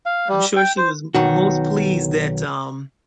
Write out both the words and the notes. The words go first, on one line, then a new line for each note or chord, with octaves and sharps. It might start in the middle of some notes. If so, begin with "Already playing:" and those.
I'm sure she was m most pleased that, um,
F5
G3
G5
C5
B1 D#3 F#4